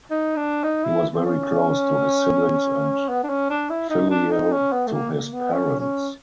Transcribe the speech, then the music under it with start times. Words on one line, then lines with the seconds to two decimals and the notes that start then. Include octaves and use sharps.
He was very close to his siblings and filial to his parents.
0.10 D#4
0.36 D4
0.63 D#4
0.84 E4
1.14 C4
1.26 C#4
3.08 B3
3.23 D4
3.29 C#4
3.50 D4
3.70 E4
3.89 D#4
4.10 D4
4.31 D#4
4.52 C#4
4.72 B3
4.87 A3
4.92 A#3
5.12 A#3
5.33 B3
5.53 C#4
5.79 C#4